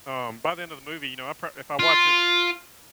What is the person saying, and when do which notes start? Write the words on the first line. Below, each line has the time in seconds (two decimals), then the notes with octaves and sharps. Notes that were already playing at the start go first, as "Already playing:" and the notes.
um, by the end of the movie, you know, I pr if I watch it
1.79 F4